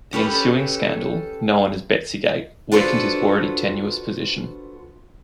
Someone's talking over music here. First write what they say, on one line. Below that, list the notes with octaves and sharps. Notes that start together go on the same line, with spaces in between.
The ensuing scandal, known as "Betsygate", weakened his already tenuous position.
C#4 G4 A4 B4
D4 F4 F#4 A4 B4 C5